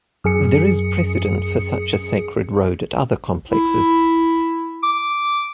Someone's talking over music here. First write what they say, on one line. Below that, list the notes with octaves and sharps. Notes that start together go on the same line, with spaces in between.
There is precedent for such a sacred road at other complexes.
F#2 G#4 C#7
E4
D6